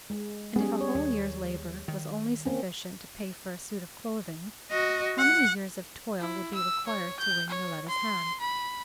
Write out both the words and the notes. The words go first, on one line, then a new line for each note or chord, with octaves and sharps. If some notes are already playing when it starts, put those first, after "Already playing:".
And if a whole year's labor was only sufficient to pay for a suit of clothing, how many years of toil would be required to win Yoletta's hand?
G#3
G3 B3 C#4 G#4
C#5
D#2
D#3
A#3 C4 C#4
F#4 D#5
F#5
E4
E6
C#5
G6
C#5
C6
B5